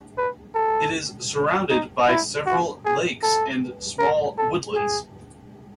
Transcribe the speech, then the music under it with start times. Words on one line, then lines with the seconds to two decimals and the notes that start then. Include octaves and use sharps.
It is surrounded by several lakes and small woodlands.
0.18 B4
0.55 A4
1.70 D#4
2.09 E4
2.46 F#4
2.85 G#4
3.23 A4
3.99 A#4
4.38 A4
4.76 G#4